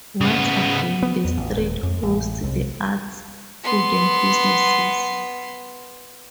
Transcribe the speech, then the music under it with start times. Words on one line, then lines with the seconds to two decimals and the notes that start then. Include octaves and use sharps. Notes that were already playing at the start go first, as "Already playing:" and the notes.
Once again, the street hosts the arts, food, and businesses.
0.21 C#3 B3
1.03 B3
1.25 E2
1.37 A1
1.56 D#1
1.83 F2
2.03 A1
2.44 C2
3.64 B3 C6